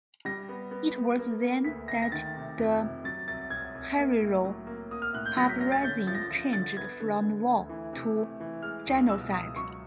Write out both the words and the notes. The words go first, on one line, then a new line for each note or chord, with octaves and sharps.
It was then that the Herero uprising changed from war, to genocide.
G3 A#6
B3
B3
B3
A#3
A#3
D2 B6
D2 A#6
A#6
D#3 A6
C3
F2
C3
F#3 A6
C2 A6
C2 G#6
C2
A#3
A2
F#3
A#3
A#3 D#6
F6
A2 F#6
G6
F#3 A#6
B6
C#4 A#6
A6
D3 G6
F3 A6
A#6
F3 A#6
D3 A6
B3 G#6
D3
D3
D2
E3
C3
A3
E3
G#3 F6
C#2
B2 E6
C#2 D#6
F#3 C#6